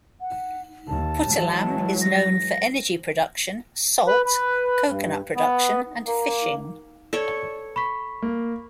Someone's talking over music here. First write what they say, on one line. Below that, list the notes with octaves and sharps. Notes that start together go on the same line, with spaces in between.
Puttalam is known for energy production, salt, coconut production and fishing.
F#5
D#2 A5
E3 F#3 G#3
A#6
B4
B4
G2
B3
A#3
A4 C#5 D5
B5 C#6 B6
A#3